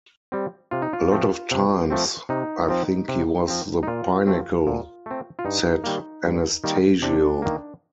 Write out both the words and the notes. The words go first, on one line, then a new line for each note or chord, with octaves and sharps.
"A lot of times, I think he was the pinnacle," said Anastasio.
G3 C4
C3 F4
D#4
F4
F3 A3 C4
C3
F3 A3 C4
C3 D#4
F3 C4
C3
F3 C4
D#4
A#2 F4
A3 C4
A#2
A3 C4
F4
G2 D#4
D#3 G3 A#3
G2
D#3 G3 A#3
C3 D4
D#3 A#3